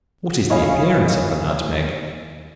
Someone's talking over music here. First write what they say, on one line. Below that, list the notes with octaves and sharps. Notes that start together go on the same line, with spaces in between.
What is the appearance of the Nutmeg?
E4 C#5 D#5 F5 G#5 B5